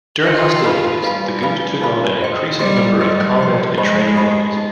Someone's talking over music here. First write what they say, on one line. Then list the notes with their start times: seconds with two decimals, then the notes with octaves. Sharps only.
During hostilities, the Goose took on an increasing number of combat and training roles.
0.23 F4 G4 C5 D#5 G5 C6
0.63 D#4 B4 F5 G#5 B5
1.02 G3 D#4 B4 F5 G#5 B5
1.42 D#4 B4 F5 G#5 B5
1.81 D#4 B4 F5 G#5 B5
2.21 C5 D#5 G5 C6
2.59 G3 C5 D#5 G5 C6
2.99 G3 C5 D#5 G5 C6
3.38 F3 C5 D#5 G5 C6
3.78 G#3 D#4 G4 C5 D#5 B5
4.17 D#4 G4 C5 D#5 B5
4.57 D#4